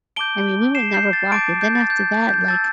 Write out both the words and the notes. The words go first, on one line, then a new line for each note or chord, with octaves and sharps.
I mean, we would never block it. Then after that, like,
A5 D6 G6 D7 G7
C7 E7
G6 C7
A6
A5 D6 G6 A6 D7
G6
A6
G6
G6
A5 E6 G6 A6